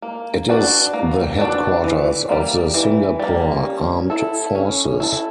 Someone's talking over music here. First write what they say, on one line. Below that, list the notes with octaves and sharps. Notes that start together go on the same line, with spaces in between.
It is the headquarters of the Singapore Armed Forces.
A#3
D4 F#4 B4 D5
A#3
D4 F#4 B4 D5
E3
G3 A#3
E3
G3 A#3
C#4
E4 A4
C#4
E4 A4